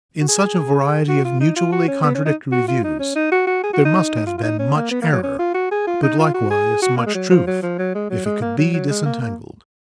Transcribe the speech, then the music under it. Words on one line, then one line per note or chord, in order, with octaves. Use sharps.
In such a variety of mutually contradictory views there must have been much error, but likewise much truth if it could be disentangled.
F#4
G#4
F#4
F4
D#4
F4
F#4
C#4
B3
C#4
D#4
F#4
F4
D#4
C#4
D#4
F#4
F#4
G#4
F#4
D#4
F4
F4
D#4
C#4
A#3
B3
A#3
F#3
C#4
F4
F#4
G#4
F4
D#4
F4
F#4
G#4
F#4
A#3
G#3
F#3
F3
F#3
F3
F#3
G#3
F#3
G#3
A#3
F#3
F#3
G#3
A#3
A#3